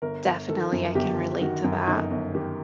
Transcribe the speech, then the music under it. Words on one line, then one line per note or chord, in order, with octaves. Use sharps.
Definitely I can relate to that.
G1 A#4
G1
D#3 A4
F#2
G1 G4
G1
D#3 F#4
F#2
G1 D#4
G1
D#3 G4